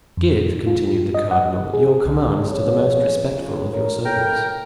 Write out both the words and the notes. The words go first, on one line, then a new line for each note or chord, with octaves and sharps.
"Give," continued the cardinal, "your commands to the most respectful of your servants."
F2
F4
D#5
F#5
G#4
C2
F2 C#3 C#5
C#2
A4 A#4 C#5
F#1 E3 A4 A#4 G5 A#5